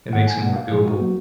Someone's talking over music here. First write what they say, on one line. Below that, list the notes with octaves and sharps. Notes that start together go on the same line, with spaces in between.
It makes it more doable.
G#2 D#3 A#3 F#5
G#5
B2 A#3 F#5
F5
A#2 F3 G#3 G#4
F#4
F#3 A#3